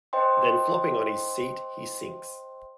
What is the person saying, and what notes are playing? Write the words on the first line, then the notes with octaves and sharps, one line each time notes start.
Then flopping on his seat he sinks.
C5 D#5 G5 C6